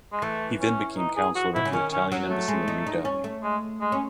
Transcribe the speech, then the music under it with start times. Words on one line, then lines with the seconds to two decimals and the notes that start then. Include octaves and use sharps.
He then became Counsellor of the Italian Embassy in New Delhi.
0.12 G#3
0.22 E3 A3
0.60 C#4
0.98 D#4
1.16 G#4
1.35 F#4
1.54 B2 E4
1.65 C#3
1.73 D#3 C#4
1.92 C#4
2.12 F#3
2.30 A3
2.48 G#3
2.68 D#4
2.87 D#4
3.05 C#4
3.24 A3
3.43 G#3
3.81 G#3
3.92 C#4